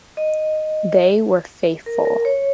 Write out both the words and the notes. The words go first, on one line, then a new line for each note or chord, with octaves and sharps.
They were faithful.
D#5
A#4
A#4
C#5